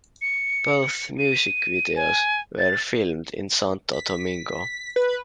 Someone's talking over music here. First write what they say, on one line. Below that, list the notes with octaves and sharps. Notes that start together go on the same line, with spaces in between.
Both music videos were filmed in Santo Domingo.
C#7
D#7
G#5
A6
B6
B4